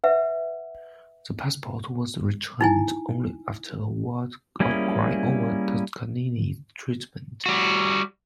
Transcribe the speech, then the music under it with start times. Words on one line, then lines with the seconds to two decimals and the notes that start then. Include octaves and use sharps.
The passport was returned only after a world outcry over Toscanini's treatment.
0.04 B4 E5 F#5
2.61 D#4 E4 G#5
4.60 G3 A#3 C#4 E4 G#4
7.46 G3 F#4